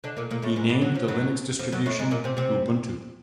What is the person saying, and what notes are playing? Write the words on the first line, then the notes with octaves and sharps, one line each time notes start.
He named the Linux distribution Ubuntu.
D3 D4
A#2 A#3
A#2 A#3
A2 A3
G#2 G#3
G2 G3
F#3
F3
F#2 F#3
F2 F3
F#2 F#3
A2 A3
G#2 G#3
A#2 A#3
C3 C4
C3 C4